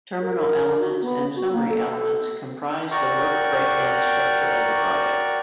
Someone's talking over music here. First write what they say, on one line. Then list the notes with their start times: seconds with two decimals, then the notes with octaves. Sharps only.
Terminal elements and summary elements comprise the work breakdown structure of the project.
0.22 A#4
0.80 F#4
1.02 B3
1.36 F#4
1.53 A#3
1.69 A4
2.91 F#4 A#4 D5 G5 A#5 C#6